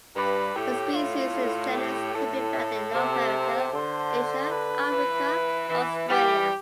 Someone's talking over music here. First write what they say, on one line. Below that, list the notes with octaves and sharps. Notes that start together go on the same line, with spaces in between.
The species in this genus can be found in North America, Asia, Africa, Australia.
G2 B4
A2 G4
F4
G4
A2 A4
C3
D3 C5
B4
E3
E3
E3 G3 G4